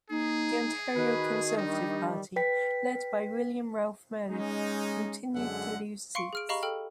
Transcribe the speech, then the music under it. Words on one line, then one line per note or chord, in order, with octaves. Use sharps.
The Ontario Conservative Party, led by William Ralph Meredith, continued to lose seats.
A#3 D#4 G#4
D#3 F#4 B4
G3 D4 D#4
B4 G5 B6
G#3 C#4 D#4
F#2 D3 G#3 G#4 E5 F#5
F5 C6 C#6 C#7 D7
G#4 F6 D7
G4 D#5 F5 A#5 B5 C#6
A4 G5 F6